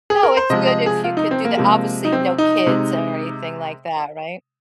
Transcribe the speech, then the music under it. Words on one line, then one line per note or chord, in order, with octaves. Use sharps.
No, it's good if you could do that. Obviously, no kids or anything like that, right?
G#4
A#4
C5
C3 F3 G#3 D#5
D#5
G#4
F4
D#4
C4
A#3
C3 F3 G#3
D#4
C4
D#4
C3 G#3